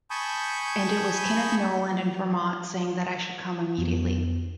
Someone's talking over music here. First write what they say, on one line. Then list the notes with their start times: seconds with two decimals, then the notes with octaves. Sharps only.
And it was Kenneth Noland in Vermont saying that I should come immediately.
0.10 G#5 A5 B5 C#6 D#6 G6
3.78 F2 B3